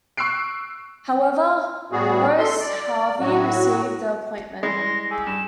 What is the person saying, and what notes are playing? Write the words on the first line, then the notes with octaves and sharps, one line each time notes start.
However, Horace Harvey received the appointment.
C#6 E6 F#6 C7 D7
A2 G3 B3 F#4 G#4
A4 C6
D5
A2 F#3 F#4
E3 G3 G#3 C6 A#6
G4 G#4 E6
G2 E7